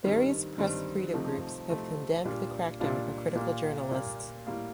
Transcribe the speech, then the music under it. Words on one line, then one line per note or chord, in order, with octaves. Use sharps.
Various press freedom groups have condemned the crackdown on critical journalists.
G2 D#3 G3 C4
G2 D#3 G3 C4
C3 F3 A3 C4 D#4
C3 F3 A3 C4 D#4
A#2 G3 D4 F4
A#2 G3 D4 F4
A#2 G3 A#3 F4
A#2 G3 A#3 F4
A2 G3 A#3